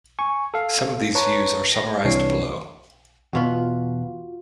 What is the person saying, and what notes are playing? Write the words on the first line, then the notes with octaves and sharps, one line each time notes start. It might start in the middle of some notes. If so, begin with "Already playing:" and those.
Some of these views are summarized below.
G#5 C#6
A4 F5
B4 C#5 A5 A#5 C#6
A#6
C2 C3 E3 D4 C#5 C7
E2 B2 B3 F4 F#4